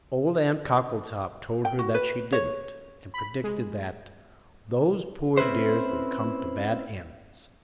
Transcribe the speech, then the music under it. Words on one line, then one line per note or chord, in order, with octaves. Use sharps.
Old Aunt Cockletop told her that she didn't, and predicted that 'those poor dears would come to bad ends.'
G5
F#4
B4
C#5
B5
G#3
C4 C#4 E4 B4 C5